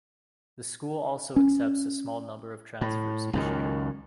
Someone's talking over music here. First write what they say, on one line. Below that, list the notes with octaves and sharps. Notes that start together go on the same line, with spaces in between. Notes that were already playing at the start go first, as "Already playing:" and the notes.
The school also accepts a small number of transfers each year.
C#4
A2
C#2 F#2 D#3